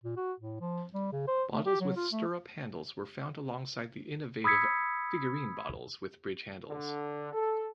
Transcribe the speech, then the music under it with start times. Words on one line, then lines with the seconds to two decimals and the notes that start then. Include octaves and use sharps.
Bottles with stirrup handles were found alongside the innovative figurine bottles with bridge handles.
0.04 A#2
0.17 F#4
0.40 A2
0.61 F3
0.94 G3
1.13 C#3
1.28 C5
1.53 A3
1.66 G4
1.81 F#3
1.96 F4
2.12 A3
4.44 B5 D#6 E6 G#6 B6 C#7
6.68 D3
7.33 A4